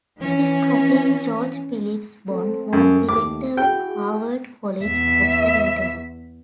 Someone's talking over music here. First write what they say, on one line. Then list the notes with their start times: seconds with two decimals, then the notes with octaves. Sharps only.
His cousin George Phillips Bond was director of Harvard College Observatory.
0.19 E3 C#4
2.29 A3 C4 A4
2.73 F#2 G3 A4
3.09 D#2 A3 D6
3.57 E4 F#4 G#4 G5
4.84 E2 E5